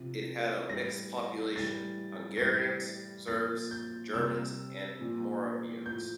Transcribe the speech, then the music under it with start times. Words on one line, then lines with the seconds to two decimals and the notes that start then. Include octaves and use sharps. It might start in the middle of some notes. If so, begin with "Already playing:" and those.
It had a mixed population, Hungarians, Serbs, Germans, and Moravians.
Already playing: C3 F3
0.69 A2 E3 G3 A#6
1.55 A2 E3 G3 A6
2.37 A#6
2.42 A2 E3 G3 A6
3.28 A#2 F3 A6
3.71 G6
4.13 C3 G3 E6
5.00 A#2 F3
5.86 A2 F3 G6